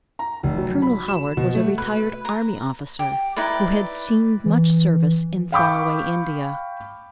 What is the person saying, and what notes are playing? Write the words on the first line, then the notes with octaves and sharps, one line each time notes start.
Colonel Howard was a retired army officer who had seen much service in far-away India.
A#5
F1
F#3
B5
E7
B2
A3
B4
A#5
G4
D#4 E4 B4 D5
E3
F5 G5 B5 C#6 D6 G6